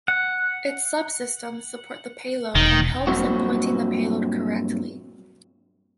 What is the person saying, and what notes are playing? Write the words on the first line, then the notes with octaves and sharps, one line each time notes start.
Its subsystems support the payload and helps in pointing the payload correctly.
F#5
E1 D#3
G2 A#2 D#3 F#3 C4 F#4